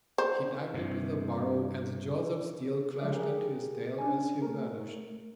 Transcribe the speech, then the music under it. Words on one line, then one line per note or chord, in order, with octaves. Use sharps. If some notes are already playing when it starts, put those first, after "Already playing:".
He dived into the burrow, and jaws of steel clashed at his tail as he vanished.
C5
G2 C3
C#3 F3 G#3 D5 E5
G4 G#4 A#4
C#4 D4 G#5
A3 A#4